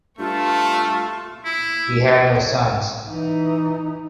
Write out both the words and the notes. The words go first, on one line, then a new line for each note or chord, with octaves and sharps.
He had no sons.
G2 A3 F4 A5 C#6
E4
E3 D#4